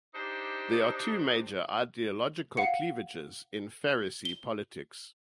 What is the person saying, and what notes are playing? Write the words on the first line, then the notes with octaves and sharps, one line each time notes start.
There are two major ideological cleavages in Faroese politics.
D4 D#4 G4 C5
F5 F#5 C#7
G7